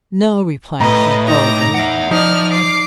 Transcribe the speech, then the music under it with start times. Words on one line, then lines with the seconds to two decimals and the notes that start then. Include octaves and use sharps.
'No,' replied he, boldly.
0.80 A2 B4 D#5 A#5
1.28 D#4 A#5 D6
1.75 E5 F#5
2.11 F3 D#4 D5 F6
2.51 D6 C7